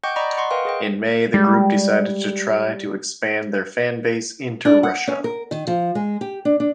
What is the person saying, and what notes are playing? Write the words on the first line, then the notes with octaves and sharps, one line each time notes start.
In May the group decided to try to expand their fan base into Russia.
D#5 F#5 G5 C#6 D6 G6
D5 D#5 A#5 B5 C#6
D#5 F#5 C6 C#6
A#4 B4 F5 G5 C6
G#4 D#5 G5
G3 G#3
D4
F#5
C#4
A#4
D#3
F3
G#3
G4
D4
D4